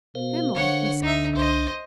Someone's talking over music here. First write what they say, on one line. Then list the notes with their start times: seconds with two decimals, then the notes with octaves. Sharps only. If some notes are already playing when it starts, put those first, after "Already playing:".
"Himmel!" he says.
0.15 B2 A#4 C5 F5
0.54 D3 C#5 F#5
1.02 D2 D#4 E5
1.35 C2 D4 C5 D#5